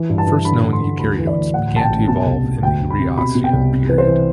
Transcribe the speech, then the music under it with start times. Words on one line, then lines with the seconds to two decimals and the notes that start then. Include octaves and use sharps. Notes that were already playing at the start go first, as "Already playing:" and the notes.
The first known eukaryotes began to evolve in the Rhyacian period.
Already playing: E3
0.09 G2
0.18 A5
0.27 E3
0.45 D3 B5
0.64 D3
0.73 C6
0.81 D3
0.99 D2 B5
1.18 E3
1.27 D5
1.35 D2
1.54 A2 F#5
1.72 A1 A5
1.82 G5
1.90 A1
2.08 B2 A5
2.26 C2
2.44 B2
2.62 D2 G5
2.81 D2
2.90 B5
2.99 C3
3.17 B2 B5
3.35 B2
3.44 G5
3.53 C2
3.72 C3
3.89 E3 B4
3.98 C5
4.07 E3